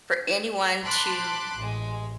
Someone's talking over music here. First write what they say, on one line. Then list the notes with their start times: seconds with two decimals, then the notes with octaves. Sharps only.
for anyone to
0.86 A5 B5 C6 D6 F#6
1.58 A1 G#3